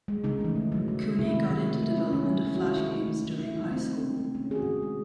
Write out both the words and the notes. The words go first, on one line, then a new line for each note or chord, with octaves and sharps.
Cooney got into development of Flash games during high school.
G#3
C#3 D#4
E3 A3
D#3
F#3 A3
C#3
G#3
C3 E4
D#3 G#3
D#3
A3
D#3 E4
G#3 C#4
D#3 C#4
G#3
C3 E4
F#4
D#3 G#3 E4
C3 D#4
F#3 A3
D#3
A3
C#3 E4
E4
E3 A3 D#4
C#3 C4
E3 G#3
C#3
F#3 A3
C3 C#4
D#3 G#3 G#4
F#4
C3
D#3 G#3